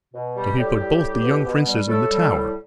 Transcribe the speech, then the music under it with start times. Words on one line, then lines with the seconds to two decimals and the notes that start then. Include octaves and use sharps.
So he put both the young princes in the Tower.
0.14 B2
0.36 G3
0.57 A2 G3 G4
0.79 G3
1.01 A2
1.23 B2
1.44 B2
1.66 G3
1.88 A2 A3 A4
2.10 G3
2.32 A2